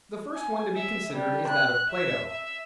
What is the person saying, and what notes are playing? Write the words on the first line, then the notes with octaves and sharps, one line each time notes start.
The first one to be considered is that of Plato.
G#5
E5
G3
F#6
E5
E5